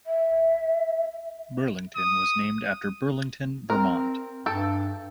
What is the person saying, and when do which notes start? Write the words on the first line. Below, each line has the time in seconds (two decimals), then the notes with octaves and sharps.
Burlington was named after Burlington, Vermont.
0.07 E5
1.96 D#6
3.70 C4 A#4
4.46 G2 A4 G5